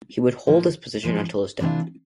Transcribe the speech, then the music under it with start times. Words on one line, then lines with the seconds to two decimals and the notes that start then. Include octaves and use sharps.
He would hold this position until his death.
0.46 A2 F3 A#3 D#4
1.03 A2 F3 G#3 C#4
1.59 C3 E3 A3 D4 F4